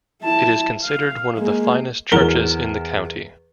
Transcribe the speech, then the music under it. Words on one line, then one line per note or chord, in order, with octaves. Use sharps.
It is considered one of the finest churches in the county.
E4 A5
F5
G#3 A#3
E2 F#3 A#4 G7